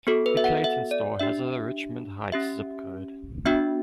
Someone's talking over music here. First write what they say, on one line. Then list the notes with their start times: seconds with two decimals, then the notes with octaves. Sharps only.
The Clayton store has a Richmond Heights zip code.
0.07 B3 F#4 A4
0.26 B4
0.37 E5
0.44 F#5
0.64 E5
0.91 D5
1.19 D4 G4 E5
2.32 C#4 G4 E5
3.45 B3 D4 F#4 E5